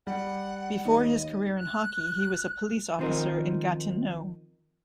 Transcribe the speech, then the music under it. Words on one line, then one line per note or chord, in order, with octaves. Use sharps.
Before his career in hockey, he was a police officer in Gatineau.
G3 F#5
D#2 D#5
F#6
D#3 F3 C4 D#4 A#4